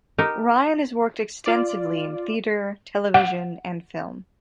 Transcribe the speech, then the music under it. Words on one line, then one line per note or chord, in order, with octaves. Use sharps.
Ryan has worked extensively in theatre, television and film.
D#4 G4 A#4
F4 D5
F#5